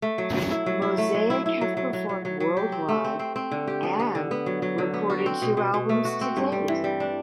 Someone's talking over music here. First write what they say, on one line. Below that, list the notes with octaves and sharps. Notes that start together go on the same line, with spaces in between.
Mozaik have performed worldwide and recorded two albums to date.
A3
F#3
F#3
E4
F#3
E4
A3
F#3
E4
E4
F#3
F#3
F#3
F#3
F#3
F#3
G4
C4
A3
C4
C4
C4
D3
G4
B3
B3
D3
B3
F#3
F#3
D3
B3
F#4
C4
B2
B2
B2
A3
F#4
C4
G2
G3
E3
G3
D4